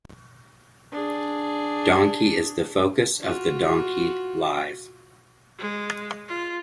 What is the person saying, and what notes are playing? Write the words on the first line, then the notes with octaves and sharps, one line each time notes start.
Donkey is the focus of the Donkey Live!
D4 G#4
F4 F#4
G#3
F4